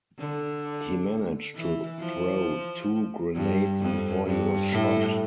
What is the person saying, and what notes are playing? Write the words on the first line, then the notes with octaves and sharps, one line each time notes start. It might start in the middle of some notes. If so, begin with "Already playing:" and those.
He managed to throw two grenades before he was shot.
D3
E3
F3
G2
F2
G2
A2